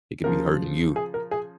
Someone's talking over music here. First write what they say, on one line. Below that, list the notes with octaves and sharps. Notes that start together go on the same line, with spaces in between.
it could be hurting you.
C#3 F3 A#4
G#4
A#4
G#4